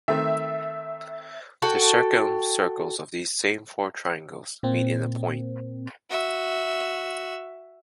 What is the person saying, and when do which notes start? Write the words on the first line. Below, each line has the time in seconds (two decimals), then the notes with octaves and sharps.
The circumcircles of these same four triangles meet in a point.
0.08 D#3 A3 C4 E5
1.62 F#4 A4 G5
4.63 A#2 A#3 C4
6.10 F#4 E5